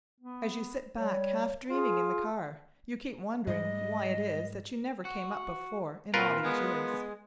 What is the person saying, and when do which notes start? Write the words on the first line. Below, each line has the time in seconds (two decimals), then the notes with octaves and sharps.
As you sit back half dreaming in the car, you keep wondering why it is that you never came up before in all these years.
0.21 B3
0.97 G3 C#5
1.70 F4 G#4
3.47 G#2 G3 G#3 D#5
5.05 F#4
6.14 A#2 C4 F4 A#4 B4
6.44 G#3 B3